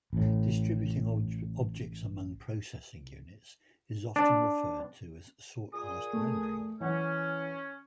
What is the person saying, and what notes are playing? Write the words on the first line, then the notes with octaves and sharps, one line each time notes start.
Distributing objects among processing units is often referred to as sort last rendering.
A1 A2
D4
A#2 G#4 D#6
A3
E3 C#4 F#5